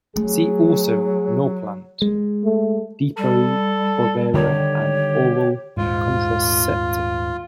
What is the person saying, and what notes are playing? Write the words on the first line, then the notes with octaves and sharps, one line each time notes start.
See also Norplant, Depo-Provera and oral contraceptive.
F#3 A3 G#4
G#3
A3
G3 A4
D3 D#3 G3 G4 C#5
D#1 G#2 F4